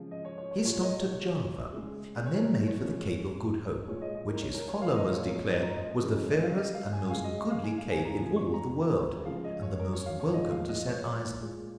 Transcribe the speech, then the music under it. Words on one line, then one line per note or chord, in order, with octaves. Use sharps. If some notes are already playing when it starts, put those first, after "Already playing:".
He stopped at Java, and then made for the Cape of Good Hope--which his followers declared was the fairest and most goodly cape in all the world, and the most welcome to set eyes on.
Already playing: C#3 F3 G#3
D#5
C#5
C#5
C#5
A#4
A#2 G#3 C#5
D#5
C#5
C#3 G#3
C#5
A#4
C#5
C#5
C#3 F3 G#3
A#2 G#3 C#5
D#5
D#5
A#4
C#5
A#4
C#5
F5
A#2 F3 G#3 D#5
C#5
A#4
C#5
D#5
A#5
D#5
D#5
C#3 F3 G#3 A#4
C#5
D#5
F5
D#5
F5
G#5
G#5
C#3 G#3 F5
D#5
D#5
F5
G#5
F5
G#5
A#5
C#3 F3 G#3 G#5
C#6
A#5
C#3 F3 G#3 F5
D#5
C#5
A#4
C#5
F5
C#5
A#2 F3 G#3 D#5
F5
D#5
C#5
A#2 G#3